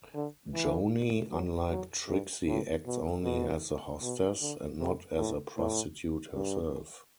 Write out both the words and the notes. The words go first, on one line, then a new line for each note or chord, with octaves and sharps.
Joanie, unlike Trixie, acts only as the hostess, and not as a prostitute herself.
D3
E3
F#3
F#3
G2
A2
B2
B2
B2
D3
C3
A2
A2
G2